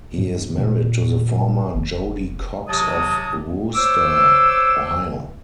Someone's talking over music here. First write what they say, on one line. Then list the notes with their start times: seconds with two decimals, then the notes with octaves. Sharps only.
He is married to the former Jody Cox of Wooster, Ohio.
0.18 G2
0.58 A#2
1.75 F1
2.68 C3 F#3 A5 D#6
3.75 C5 C#5 D6 E6